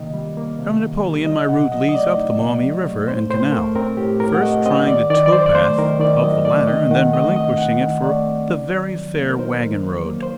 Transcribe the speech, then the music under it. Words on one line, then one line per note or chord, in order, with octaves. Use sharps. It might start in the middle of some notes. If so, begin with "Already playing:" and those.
From Napoleon my route leads up the Maumee River and canal, first trying the tow-path of the latter, and then relinquishing it for the very fair wagon-road.
Already playing: C3 D#3 A#3 D#5
G3
A#3
C3
D#3
G3
D#4 D#5
C3 F#5
F#3 D#5
D#5
A3 D5
D#4
C3
F#3
A3
A2 C5
A2 C5
A3 A#4
C4 A#4
A2 G4
A2 A#4
F#5
A3 D#5
C4 D#5
D#3 D5
D#3 D5
D5
F#3 C5
D5
A3 C5
D#3 A#4
D#3 D5
F#3 D#5
A3 D5
D#3 D#5
D#3 F#5
A3 D#5
C4 D#5
D#3 F#5
D#3
A3 D5
C4
D#4
D#3
F#3
A#3
A#4
D#4 C5
D#3
F#3
A#3
C5